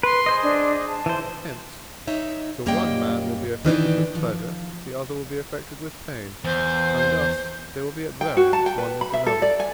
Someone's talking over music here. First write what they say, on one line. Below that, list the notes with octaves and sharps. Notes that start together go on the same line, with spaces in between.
Hence the one man will be affected with pleasure, the other will be affected with pain, and thus they will be at variance one with another.
B4 C6
G#4 C5 D#5
D4
A5
E3 C5
D#4 C#5 E5
F#2 G3 A#3 C#5 D#5 G5
D#3 E3 D4 D#4
F3
E2 C5
G5
F#4
A5
G5
B4
B5
E5
A4
D5
G#5